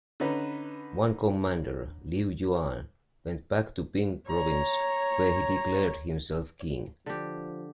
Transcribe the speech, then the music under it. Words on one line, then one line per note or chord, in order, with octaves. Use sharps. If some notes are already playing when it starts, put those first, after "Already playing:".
One commander, Liu Yuan, went back to Bing Province where he declared himself King.
D3 C#4 D#4 B4
C#5 A#5
D3 F3 G4